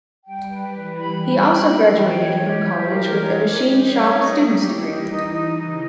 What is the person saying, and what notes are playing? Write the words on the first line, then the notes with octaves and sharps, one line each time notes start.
He also graduated from college with a machine shop student's degree.
G3 G5
B4
E3 B4
B5
G3 G5
B5
E3 G5
G5
C#5
G4
G3 G4
A#4
G#3 C#5
G4
G3 G4
C#5
G3 D#4
G4
E3 G4
D#5
D#4
D#4
C#3 D#4